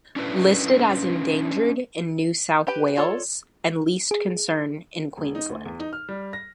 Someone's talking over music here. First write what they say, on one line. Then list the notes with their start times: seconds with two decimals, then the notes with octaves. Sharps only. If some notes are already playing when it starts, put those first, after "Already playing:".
Listed as endangered in New South Wales and least concern in Queensland.
0.16 C#4 D4 E4 B4
2.67 G4 B4 G5
2.98 F4 A4 C#5 D5
4.11 G#4
5.17 E1
5.35 D#4
5.50 D2
5.65 E2
5.80 D#4
5.93 F6
6.09 G3
6.33 A#6